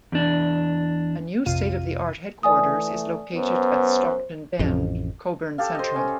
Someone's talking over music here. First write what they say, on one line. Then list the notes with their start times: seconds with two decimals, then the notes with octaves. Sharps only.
A new state of the art headquarters is located at Stockton Bend, Cockburn Central.
0.12 E2 D4
1.46 A#1 F2 C3 F4 F5 D#7
2.43 E3 A3 D5 G#5 D#6
3.35 F#2 B3 C5
4.59 A1 F2
5.58 G4 A4 F5
5.75 C5 D#5
5.96 C#4